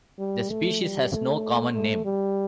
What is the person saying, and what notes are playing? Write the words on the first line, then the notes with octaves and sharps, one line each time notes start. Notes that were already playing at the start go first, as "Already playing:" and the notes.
The species has no common name.
G3
A3
G3
A3
A3
G3